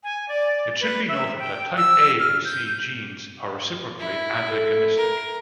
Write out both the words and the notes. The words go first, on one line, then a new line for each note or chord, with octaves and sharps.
It should be noted that type A and C genes are reciprocally antagonistic.
G#5
D5
B4
E5
G5
E6
F6
G6
E4
A4
A#4